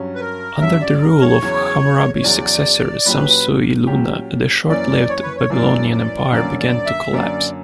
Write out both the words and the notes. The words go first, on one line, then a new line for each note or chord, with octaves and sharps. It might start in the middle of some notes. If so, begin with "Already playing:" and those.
Under the rule of Hammurabi's successor Samsu-iluna, the short-lived Babylonian Empire began to collapse.
Already playing: G2 F#3 C#4
B4
A#4
G2 F#3 C#4 E5
D5
A#4
C#5
E2 C#3 F#3
C#5
E2 C#3 F#3 D5
A#2 F#3 C#4 G4 B4
A#2 F#3 C#4 G4
F#2 E3 A#3 C#4 D5
C#5
B4
C#5
F#2 E3 A#3 C#4 D5
D5
F#2 D3 A#3 C#4 D5
D5
E5
F#2 D3 A#3 C#4 D5